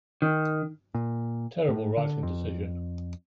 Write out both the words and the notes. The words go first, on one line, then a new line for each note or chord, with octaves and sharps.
Terrible writing decision.
D#3
A#2
A2
D3
F2